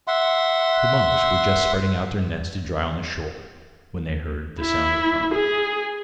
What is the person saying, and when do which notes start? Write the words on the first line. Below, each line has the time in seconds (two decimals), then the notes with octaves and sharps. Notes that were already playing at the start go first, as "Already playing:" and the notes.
The monks were just spreading out their nets to dry on the shore, when they heard the sound of crying.
0.08 E5 F#5 C6
4.61 E4
5.34 G#4